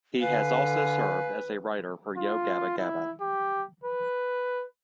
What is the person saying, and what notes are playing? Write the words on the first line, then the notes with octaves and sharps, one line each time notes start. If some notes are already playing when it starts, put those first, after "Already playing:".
He has also served as a writer for Yo Gabba Gabba!
D3 B4 F5 G#5
F4
E4
G4
B4